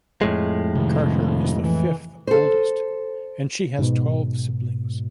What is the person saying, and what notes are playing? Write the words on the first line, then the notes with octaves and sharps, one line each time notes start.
Carter is the fifth oldest and she has twelve siblings.
F2 A2 G#3
C3 D#3
E3
A4 C5
G#2 B2